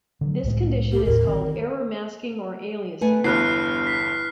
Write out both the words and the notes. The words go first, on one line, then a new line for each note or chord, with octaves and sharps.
This condition is called error masking or aliasing.
D3 F3 F#3
C2 A2 G#3
G4
G#1 D#2 A2 A#4
D3 D#3 C4
A3 B4 G#5
G1 E2 G2 D4 E4 F6 F#6 C7
B6